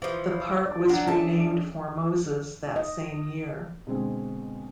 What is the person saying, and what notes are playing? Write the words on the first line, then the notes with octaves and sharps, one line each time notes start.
The park was renamed for Moses that same year.
E3 F3 C5
D5
F#3 D4
C#4 G#4 A4 E5 A5
D#5
B2 D3 G#3 C4